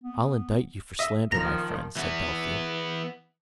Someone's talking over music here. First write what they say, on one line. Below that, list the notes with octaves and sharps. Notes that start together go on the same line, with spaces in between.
"I'll indict you for slander, my friend," said Bellfield.
B3
D#5 E5
D#3 F3 A#5
E3 B3